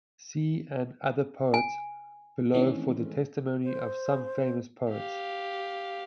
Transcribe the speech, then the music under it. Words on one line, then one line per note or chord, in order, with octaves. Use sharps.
See and other poets below for the testimony of some famous poets.
G#5
D#3 E3 G#3 A3 C4 C#4
C5
G4 F5